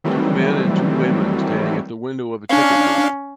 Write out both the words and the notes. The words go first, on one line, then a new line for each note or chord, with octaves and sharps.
Two men and two women standing at the window of a ticket booth.
D#3 E3 F#3 G3 A3 C4
C#4 D4 F5